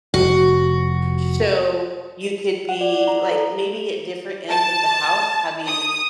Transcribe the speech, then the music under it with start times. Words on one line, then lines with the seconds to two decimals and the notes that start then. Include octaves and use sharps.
So, you could be like maybe at different ends of the house, having
0.14 F1 F#4
2.69 F#5
2.81 D5
2.95 D5
3.08 A#5
3.31 A4
4.50 A5
5.66 D#6